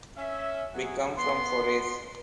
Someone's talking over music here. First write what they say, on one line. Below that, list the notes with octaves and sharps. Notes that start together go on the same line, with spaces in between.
We come from Forès.
C#4 E5
F#2 F#4 G#4
B3 C6